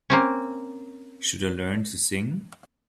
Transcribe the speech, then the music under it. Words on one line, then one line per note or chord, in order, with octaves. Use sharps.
Should I learn to sing?
A#3 C4 C#4